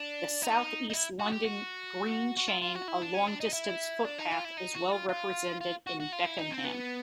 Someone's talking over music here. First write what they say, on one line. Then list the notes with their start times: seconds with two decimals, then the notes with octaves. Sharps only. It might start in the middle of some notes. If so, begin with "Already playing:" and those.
The South East London Green Chain, a long-distance footpath is well represented in Beckenham.
Already playing: D4
0.42 D#4
0.90 D#4
0.93 E4
1.19 F#4
1.32 G4
1.45 F#4
2.38 F#4
2.49 F4
2.62 F4
2.75 F#4
2.88 E4
3.02 D4
3.14 C#4
3.27 D4
3.40 D#4
3.53 E4
4.05 D4
4.18 D#4
4.31 F4
4.44 E4
4.57 D#4
4.74 F#4
4.92 F4
5.09 F4
5.61 F4
5.87 F#4
6.00 F#4
6.13 F4
6.26 E4
6.38 D#4
6.51 C4
6.65 B3